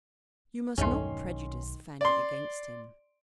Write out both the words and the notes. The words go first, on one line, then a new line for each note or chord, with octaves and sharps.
You must not prejudice Fanny against him.
B1 E2 G2 D#3 G#3 A3 C#4 C6
D5 C6